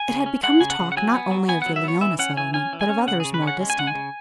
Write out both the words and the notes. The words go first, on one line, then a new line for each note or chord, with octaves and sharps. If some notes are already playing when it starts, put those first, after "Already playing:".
It had become the talk not only of the Leona settlement, but of others more distant.
Already playing: G#5
C#3
C#4
G#3 F#5
C#3 G#5
F#5
C#3
F#5
F#3 G#5
B3
F#3
B3 G#5
F#5
F#3
E5
B3 C#5
E3 E5
C#4 F#5
E3 G#5
C#4 G#5
E3
G#5
C#4
C#3 F#5
G#4
C#3
B4
C#4
F#5
G#3
G#5
C#3 F#5
G#5
C#3